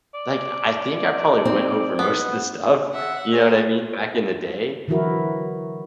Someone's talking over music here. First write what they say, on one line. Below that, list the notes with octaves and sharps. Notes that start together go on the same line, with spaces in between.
Like, I think I probably went over most of this stuff, you know what I mean, back in the day,
D5
C4 D#4
B3
E5 F#5
G#4 C#5
D3 E3 F#3 E4 F#4 A#4